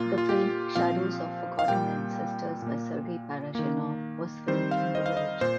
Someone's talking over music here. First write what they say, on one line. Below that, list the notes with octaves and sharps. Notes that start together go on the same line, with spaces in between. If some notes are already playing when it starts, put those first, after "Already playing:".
The film Shadows of Forgotten Ancestors by Sergei Parajanov was filmed in the village.
Already playing: A#2 A#3 F4
F4
G4
A#2 F3 C4 F5
F5
A#2 G3 A#3 G5
A#2 A#3
D#3 A#3
D#3 G3 C4 C5
F5
D#5
F5
D#5
A#2 C5